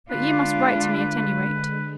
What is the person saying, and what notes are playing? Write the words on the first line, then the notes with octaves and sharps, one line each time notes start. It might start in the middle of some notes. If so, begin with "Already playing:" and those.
"But you must write to me at any rate."
D3 G#3 D4 F4 B4